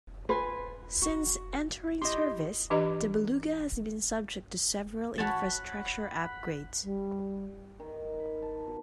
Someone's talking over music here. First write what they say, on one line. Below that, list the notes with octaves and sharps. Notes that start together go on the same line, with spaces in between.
Since entering service, the Beluga has been subject to several infrastructure upgrades.
F4 B4 G#5
F#4
E4 G4 D#5 C6
E3 D4 G4 B4 D#5 A#5
F#4 C#5 F#5 A5 B5
G3
D#3
B5
A5
B2